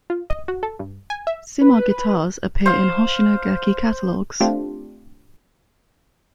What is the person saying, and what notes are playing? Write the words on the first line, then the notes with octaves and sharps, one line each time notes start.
Cimar guitars appear in Hoshino Gakki catalogues.
F4
D#5
F#4
A4
G2
G#5
E5
B4
C5 F5
A3 C4 D4 F4 G4